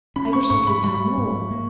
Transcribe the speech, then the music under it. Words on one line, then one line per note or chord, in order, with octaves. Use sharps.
'I wish I could do more.'
C#4 B5
C#6
G#2 C#6
B5
G3 B5
G#2
A#3